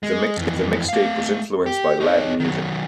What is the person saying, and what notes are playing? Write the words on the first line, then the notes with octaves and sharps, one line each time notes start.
The mixtape was influenced by Latin music.
G#3
F2 E3
A3 F5
G4
D#4 C#5
D#3 F#3